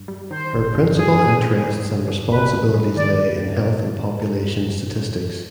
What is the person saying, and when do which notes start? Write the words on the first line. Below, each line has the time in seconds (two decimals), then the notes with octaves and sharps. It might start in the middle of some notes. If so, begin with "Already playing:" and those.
Her principal interests and responsibilities lay in health and population statistics.
Already playing: G2
0.08 G3
0.30 D#3 C5
0.53 G1
0.74 G2
0.96 G2 G#4
1.19 D3
1.41 C4
1.63 G3
1.85 G2
2.08 D3
2.30 G1 B4
2.52 F2
2.74 G#3
2.96 D#3 D5